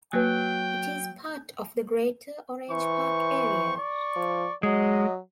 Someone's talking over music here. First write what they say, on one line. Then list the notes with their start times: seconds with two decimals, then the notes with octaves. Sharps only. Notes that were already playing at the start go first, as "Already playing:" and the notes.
It is part of the greater Orange Park area.
0.13 F#3 A#3 B4 G5
2.71 E3 C5 C#6
3.76 D5 C#6
4.16 F3
4.63 F#3 G#3 D#5